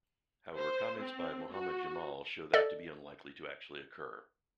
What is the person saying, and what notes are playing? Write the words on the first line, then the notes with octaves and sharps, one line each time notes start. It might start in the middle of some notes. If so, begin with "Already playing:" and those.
However comments by Mohammed Jamal show that to be unlikely to actually occur.
C5
C4
F#4
A4 D5 D#5